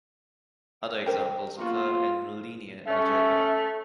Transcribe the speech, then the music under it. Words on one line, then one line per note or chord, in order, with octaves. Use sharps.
Other examples occur in linear algebra.
G4 A#4 C5
A#3 B3 F4 F#4
A3 C#4 E5